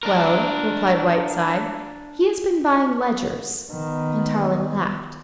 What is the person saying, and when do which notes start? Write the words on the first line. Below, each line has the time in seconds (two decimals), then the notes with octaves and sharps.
"Well," replied Whiteside, "he has been buying ledgers," and Tarling laughed.
0.03 D4 A#4
3.72 D#3 B3